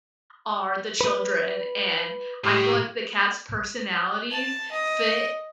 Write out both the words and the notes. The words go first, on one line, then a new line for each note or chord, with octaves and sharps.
are the children and I feel like the cats' personalities fit
B4
A2 G4
A5
D#5